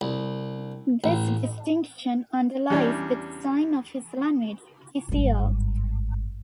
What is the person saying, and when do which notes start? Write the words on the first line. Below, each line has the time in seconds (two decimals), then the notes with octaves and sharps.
This distinction underlies the design of his language Tcl.
0.01 C2
1.04 A1
2.70 E2 G3 C#4 D4
5.09 G#1 G2